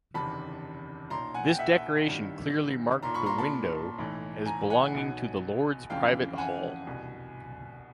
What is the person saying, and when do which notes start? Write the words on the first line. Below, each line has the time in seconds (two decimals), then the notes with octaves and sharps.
This decoration clearly marked the window as belonging to the lord's private hall.
0.14 F#1 E2 C3 D#3 A5 B5
1.10 B1 A#2 A#5 C6
1.34 F#5 G#5
1.48 G5
1.59 E5 F#5
2.07 A1 G2 D#3
3.03 B1 A#2 A#5 C6
3.14 B5 C#6
3.26 A#5 C6
3.38 A5 B5
3.98 B1 A2 E3
4.46 G#5 A#5
4.70 F#5 G#5
4.94 B1 B2
5.90 G1 F2 C#3 E3 F5 G5
6.38 F#5 G#5
6.87 C2 B2